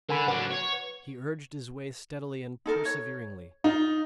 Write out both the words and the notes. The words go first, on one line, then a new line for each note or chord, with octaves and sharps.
He urged his way steadily and perseveringly.
D3 A#4 G#5 B5
F#3 D4 B4 F#5
C#5
D#4 A4 A#4
C#5
D#4 F4